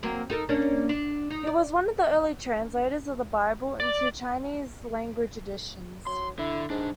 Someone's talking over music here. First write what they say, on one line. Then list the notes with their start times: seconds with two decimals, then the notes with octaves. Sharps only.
He was one of the early translators of the Bible into Chinese language editions.
0.03 F#3 A#3 C4
0.30 D#4 A4 A#4
0.49 A#3 C#4 D4
0.89 D4
1.30 D#4
1.47 D5
3.80 D5
6.07 F#3 C6
6.39 D3 E4
6.70 B1 G#2 D4